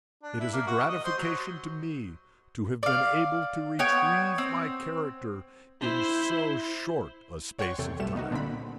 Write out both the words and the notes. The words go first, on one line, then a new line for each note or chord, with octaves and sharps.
"It is a gratification to me to have been able to retrieve my character in so short a space of time."
D4
E4
A#3
F#4
D#5
C5
F#3
D5 F5
B3 C#5 G5
C4
E4 C5
C#5 F#5 G5 C6 C#6
E2 C3 A4 G5
C2 B2 G3 A3 E7
B3 D#4 F#4
A#2 D3 A#3 C4 B5